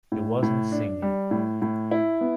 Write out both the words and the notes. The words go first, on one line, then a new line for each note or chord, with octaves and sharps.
He wasn't singing.
A2
A2
D4
G3
A2
A2
E4
B3